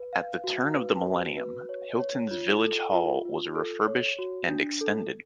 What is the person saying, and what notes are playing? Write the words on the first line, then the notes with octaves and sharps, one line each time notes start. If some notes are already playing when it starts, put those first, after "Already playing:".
At the turn of the Millennium, Hilton's village hall was refurbished and extended.
Already playing: B4
F5
F#4
B4
F#4
B4
C#5
C#5
F4
A4
F4
F4
A4
C#5
F#4
D4
A4